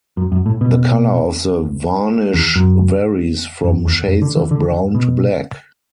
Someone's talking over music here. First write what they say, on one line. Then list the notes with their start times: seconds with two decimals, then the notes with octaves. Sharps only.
The color of the varnish varies from shades of brown to black.
0.17 F#2
0.32 F#2
0.46 A2
0.61 B2
2.34 E2
2.56 F#2
3.64 F#2
3.85 E2
4.08 F#2
4.22 D3
4.36 E3
4.51 D3
4.95 B2